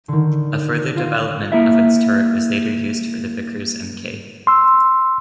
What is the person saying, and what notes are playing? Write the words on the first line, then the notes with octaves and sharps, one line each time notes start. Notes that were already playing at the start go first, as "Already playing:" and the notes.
A further development of its turret was later used for the Vickers Mk.
D3 D#3
F4
A#3 E4 E5
C6 E6